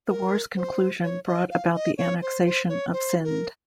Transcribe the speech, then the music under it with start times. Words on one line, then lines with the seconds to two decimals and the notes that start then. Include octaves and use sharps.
The war's conclusion brought about the annexation of Scinde.
0.09 A#4
0.56 C5
1.03 C#5
1.27 D#5
1.51 F5
1.75 D#5
1.98 C#5
2.22 C5
2.46 C5
2.69 C#5
2.93 C5
3.24 A#4